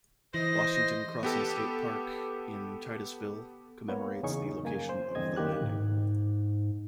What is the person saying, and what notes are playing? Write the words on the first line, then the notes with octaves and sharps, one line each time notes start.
Washington Crossing State Park in Titusville commemorates the location of the landing.
E3 C5 D#5 A#6
B3 G4 A4
A#3 B3 C#5
E2 C#3 C#4 D#4 G#4 C#6
F#2 A#3 G#5
C5
E2 G2 D3 C4 D#5 G#6
D#2 D#3 A#3 G4 F#6
G#2